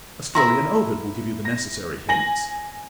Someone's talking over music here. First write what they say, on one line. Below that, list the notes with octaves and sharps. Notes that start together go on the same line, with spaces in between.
A story in Ovid will give you the necessary hints.
E4 A4 E5 A#5 C6
A#6
G#5 A#6 F#7